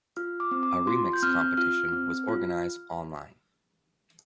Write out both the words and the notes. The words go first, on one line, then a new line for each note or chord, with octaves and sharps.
A remix competition was organized online.
F4 F6
D6
C4
D6
F4 C6
G6
C4 F6
F4 F6
C4
F4